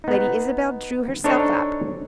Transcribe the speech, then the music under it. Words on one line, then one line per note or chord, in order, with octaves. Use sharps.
Lady Isabel drew herself up.
B3 D#4
D4 D#4 A4 C5 C#5